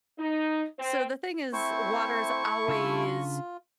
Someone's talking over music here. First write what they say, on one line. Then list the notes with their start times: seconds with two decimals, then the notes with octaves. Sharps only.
so the thing is, water's always
0.19 D#4
0.79 C4
1.53 A3 C4 E4 C5 C#6
2.68 C#3 D4 F4 E6